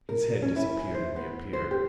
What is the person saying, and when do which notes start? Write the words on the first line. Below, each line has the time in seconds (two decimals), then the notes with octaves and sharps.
His head disappeared and reappeared.
0.09 A#4
0.42 C#4
0.56 E4
0.94 C5
1.16 B3
1.53 C5
1.71 G4